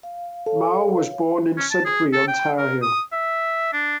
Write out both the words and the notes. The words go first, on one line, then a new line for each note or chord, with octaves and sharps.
Mau was born in Sudbury, Ontario.
F5
A4 C#5 F5
C#4
A5
G#4
A4
G5
A#4
D#6
E5
D4